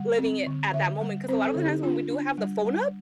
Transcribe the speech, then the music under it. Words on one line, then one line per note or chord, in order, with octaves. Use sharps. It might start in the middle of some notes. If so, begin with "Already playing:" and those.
living it at that moment 'cause a lot of the times when we do have the phone up,
Already playing: D3 G3
C4
D3
D3 E5
G3
C4 C5
A4
D3
G4
D4 F4
D4
G3
G3